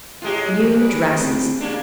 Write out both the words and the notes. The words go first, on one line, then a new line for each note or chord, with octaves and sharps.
New dresses!
A2 G#3 F4 G4
E2 B4 C5
A#4 B4 D5
A3 C4 E4
A#3 C#4 D4 G#4